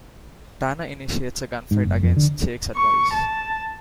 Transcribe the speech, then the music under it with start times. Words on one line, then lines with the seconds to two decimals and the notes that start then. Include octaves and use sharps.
Tanner initiates a gunfight against Jake's advice.
1.71 G#2
1.85 F#1
2.03 F2
2.17 D3
2.75 C#6
3.14 A5